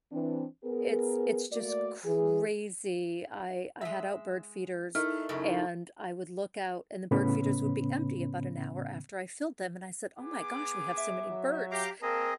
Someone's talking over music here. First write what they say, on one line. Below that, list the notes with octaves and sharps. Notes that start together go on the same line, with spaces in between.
it's it's just crazy. I I had out bird feeders and I would look out and the bird feeders would be empty about an hour after I filled them, and I said, "Oh my gosh, we have so many birds."
E3 C4 D4
B3 G#4 A#4
A3 A#3 F#4 D5
E3 G#4
G#3 E5
A3 D#4 E4 A#4 F6
F#2 C#3 A3
A2 C#3 B3 C#4 B5
B3 G#4 D6
E5
F#3
G4 F5 A#5 D6
A#3 C4 G#4 A#4 D#5 A5